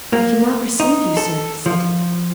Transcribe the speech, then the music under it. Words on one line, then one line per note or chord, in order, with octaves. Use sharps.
"I cannot receive you, sir," said he.
A#3
D#4
A4
F3